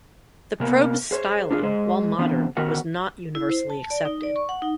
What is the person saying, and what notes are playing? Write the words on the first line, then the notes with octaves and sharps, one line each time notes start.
The Probe's styling, while modern, was not universally accepted.
C3 A#3 B3
G#4 C5 C#5
D4 F4 G#4
G#3 G#4 C5 D#5
E3 B3 C4 D4
D#3 B3 F#4 A#4 F#5
E4
C5
A5
D5
D#4
D5
C#6
F#5
D#4